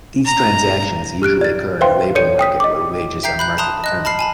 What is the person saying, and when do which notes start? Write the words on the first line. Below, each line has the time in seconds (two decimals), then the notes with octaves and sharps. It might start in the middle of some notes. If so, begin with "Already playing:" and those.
These transactions usually occur in a labour market where wages are market determined.
0.25 A#5
1.22 G4 F6 F#6 D7
1.41 D5 A6
1.81 B4 C5 E5 F5 G5 C6
2.15 A4 C#5 D5 G6 C#7 D#7
2.39 G5 D#6 B6
2.60 D#5 D6
3.23 E5 G5 A#5 G6 C7
3.39 B5 F#6 G6
3.58 A5 A#5 C6 D#6 F#6
3.84 D#5 F#6
4.05 A5 B5 F6 C7
4.19 G#5 A5 B5